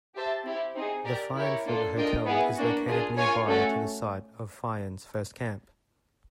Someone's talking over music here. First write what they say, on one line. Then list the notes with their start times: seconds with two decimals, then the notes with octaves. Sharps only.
The Fyansford Hotel is located nearby to the site of Fyan's first camp.
0.15 G4 C5 E5 A5
0.44 C4 E4 G4
0.75 C4 D#4 G#4
1.05 G4 A#4 D5
1.35 E4 G4 A#4 C#5
1.65 A#3 D4 F4 A4
1.95 D4 F4 A#4 D#5 G5
2.26 B3 E4 G#4
2.56 A#3 D4 F#4
2.86 A#3 D4 F4 G#4
3.17 F4 A#4 C#5 F5 G#5
3.46 A3 C#4 F#4 A4